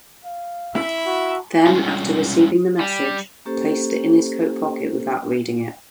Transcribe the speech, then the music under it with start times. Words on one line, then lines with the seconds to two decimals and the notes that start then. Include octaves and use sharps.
Then after receiving the message, placed it in his coat pocket without reading it.
0.25 F5
0.75 E4 E5
1.06 F#4
1.67 G3 G#3 C#4 F4
2.81 G3
3.45 A#3 C#4 G4 A4 C5